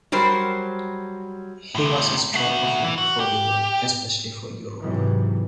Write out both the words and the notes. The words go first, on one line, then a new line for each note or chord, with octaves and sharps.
He was a stroke of luck for the world, especially for Europe.
F#3 G3 A#4 C5
A2 C3
A3 F#4
E3
F#4
G4
G#2 C3 E3 F#3